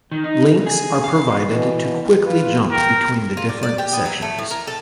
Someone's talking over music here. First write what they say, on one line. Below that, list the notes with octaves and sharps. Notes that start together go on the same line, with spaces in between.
Links are provided to quickly jump between the different sections.
D#3
D#4
D2
G#4
F5
B2 E3
F4 B4
A#4 G5
F4
D4
D5
G4
B3
F#3
A3
A2
A#4
A4